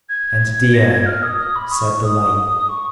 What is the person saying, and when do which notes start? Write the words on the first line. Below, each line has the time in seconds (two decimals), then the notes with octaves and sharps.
And Dea! said the light.
0.09 G#6
0.74 A#6
0.91 G#6
1.06 F6
1.23 D#6
1.39 D#6
1.56 B5
1.72 C#6
2.04 D#6
2.69 C#6